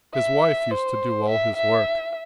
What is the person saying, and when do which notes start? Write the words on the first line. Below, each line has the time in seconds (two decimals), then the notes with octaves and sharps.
His wife used to do all his work.
0.14 E5
0.71 C5
1.28 E5
1.56 E5